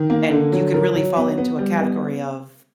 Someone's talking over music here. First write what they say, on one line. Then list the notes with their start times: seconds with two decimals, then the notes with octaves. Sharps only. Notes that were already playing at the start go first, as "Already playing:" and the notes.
And you can really fall into a category of,
Already playing: D#3
0.10 A#3
0.31 D3
0.52 F#3
0.74 F#3 A#4
0.95 F#3
1.16 B3 B4
1.38 B3
1.59 G3
1.80 B3